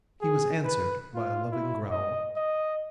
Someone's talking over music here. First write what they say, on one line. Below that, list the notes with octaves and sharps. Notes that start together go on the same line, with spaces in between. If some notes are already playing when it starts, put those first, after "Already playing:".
He was answered by a loving growl.
G#4
B4
F4
E4
D#5
D#5